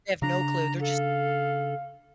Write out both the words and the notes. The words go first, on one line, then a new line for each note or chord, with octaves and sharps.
They have no clue, they're just
C#3 D4 A#5
A4 F5